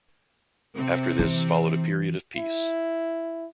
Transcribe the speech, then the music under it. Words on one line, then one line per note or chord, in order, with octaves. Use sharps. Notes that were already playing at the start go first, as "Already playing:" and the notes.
After this followed a period of peace.
C3 C4
E3
E4